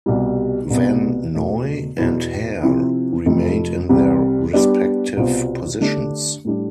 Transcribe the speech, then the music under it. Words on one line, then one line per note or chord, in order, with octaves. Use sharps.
Van Noy and Hare remained in their respective positions.
C2 B2 G3
C2 B2 B3
E2 B2 A3
E2 B2 B3 E4
C3 F3 C4 E4
F2 C3 F3 A3
C2 C3 G3 C4
G3 B3 D4 G4 D5
C2 B2 B3 F4 C5
D3 A3 D4 G4
A2 G3 D4